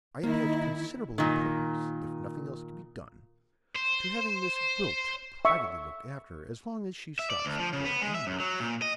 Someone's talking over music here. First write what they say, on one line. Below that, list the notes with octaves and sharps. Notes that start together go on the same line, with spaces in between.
I attach considerable importance--if nothing else can be done--to having Miss Gwilt privately looked after, as long as she stops at Thorpe Ambrose.
D#3 A#3 D#4 E4
A#2 D#3
C5
E5 C#6
E5
D5
D2
F3
C#3
B3
G#3
E5
F#2
F#3
A#2
D#5